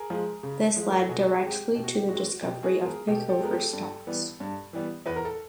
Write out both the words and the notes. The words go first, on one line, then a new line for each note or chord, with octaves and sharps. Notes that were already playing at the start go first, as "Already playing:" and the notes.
This led directly to the discovery of Pickover stalks.
Already playing: G#4 A#4
F3 G#3
C#3
F3 G#3
A#4
A4
B2 F#4 G#4
G#3 C4 G4
B2 G4
F#4
G4
G#3 C4 F#4
B2 G4
F#4 G#4
G#3 B3
G#4 A#4
B2 G4 A4
G4 A4
G#3 B3 A#4
G4 A4
G2
E3 G3 B3
G2
E3 G3 B3
E2 B4
A#4
A4